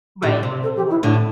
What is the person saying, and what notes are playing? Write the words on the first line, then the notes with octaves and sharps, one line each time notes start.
Right. More.
A2 D3 G4
C3
A4
G4
E4
A2 D3 D4